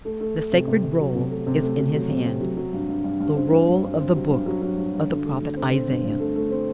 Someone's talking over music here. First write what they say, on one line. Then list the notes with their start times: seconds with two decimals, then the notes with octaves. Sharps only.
The sacred Roll is in His hand; the Roll of the Book of the prophet Isaiah.
0.05 A3
0.21 A3
0.36 A3
0.52 C3
0.68 C3
0.84 C3
0.99 F#3
1.15 C3
1.31 A3
1.47 C3
1.63 A3
1.79 A3
1.94 F#3
2.10 C3
2.26 C3
2.41 F#3
2.57 F#3
2.73 G2
2.89 G2
3.04 G2
3.20 G2
3.36 C4
3.52 G2
3.68 G2
3.84 G2
3.99 C4
4.15 F#3
4.30 G2
4.46 F#3
4.62 F#3
4.78 G2
4.93 G2
5.09 D3
5.25 A3
5.41 D3
5.57 C4
5.72 C4
5.88 G2
6.04 G2
6.20 A3
6.35 A3
6.51 C4